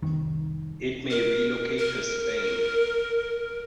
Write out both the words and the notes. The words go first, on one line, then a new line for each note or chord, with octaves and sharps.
It may relocate to Spain.
C2 F2 D#3
A#4
A#4